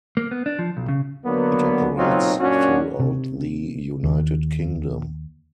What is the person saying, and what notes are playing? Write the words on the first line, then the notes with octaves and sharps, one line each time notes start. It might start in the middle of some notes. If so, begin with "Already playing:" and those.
It operates throughout the United Kingdom.
A#3
B3
D4
F3
B1
C#3
D3 F#3 A#3 B3
B1 A#2 F#3 C4 D#4 F4
F#2 A#2 C#4 D4 F#4
C3
D#2